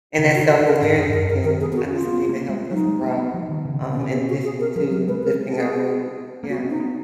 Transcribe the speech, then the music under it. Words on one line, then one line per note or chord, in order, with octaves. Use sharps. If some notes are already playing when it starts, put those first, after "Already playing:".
And that self-awareness can I just believe it helps us grow, um, in addition to lifting our mood, yeah.
C#3
F#4
D#3
D#3
A#4
G#2 A#4
F#2 G#4
F#2 A#4
F#2 A#4
D#3 A#4
G#4
B3
G#4
F#4
C#4
F4
B3
A#3
G#3
F#3 D#4
G#3
A#3
B3
F3
D#3
C#3
C#3
B3
B2 C#4
B3
F#4
G#4
A#4
F3 A#4
F#3 A#4
G#3 B4
A#4
G#4
A#3
F#4
B3
C#4
D#4
B3